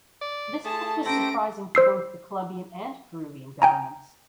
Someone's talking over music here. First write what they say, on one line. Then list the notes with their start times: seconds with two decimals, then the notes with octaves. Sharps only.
This fact was surprising for both the Colombian and Peruvian governments.
0.21 D5
0.65 A3 G#4 A5
1.06 C#4 G4 A4 C5 A5 A#6 D7
1.75 C5 E6 C7
3.62 G5 G#5 A#5